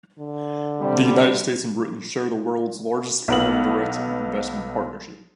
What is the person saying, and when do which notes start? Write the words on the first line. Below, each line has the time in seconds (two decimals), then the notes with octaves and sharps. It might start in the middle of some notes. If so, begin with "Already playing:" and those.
The United States and Britain share the world's largest foreign direct investment partnership.
0.19 D3
0.79 C3 G3
3.28 B1 B3 F#7